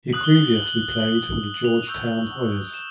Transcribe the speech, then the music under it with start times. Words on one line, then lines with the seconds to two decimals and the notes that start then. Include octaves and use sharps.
He previously played for the Georgetown Hoyas.
0.13 D#6 F#6 F#7
0.24 G7
0.35 G7
0.45 F#7
0.56 F#7
0.67 F#7
0.79 F#7
0.89 G7
0.99 F#7
1.44 F#7
1.54 F#7
1.64 F7
1.76 F7
1.87 C#6 E6 G6
2.74 E7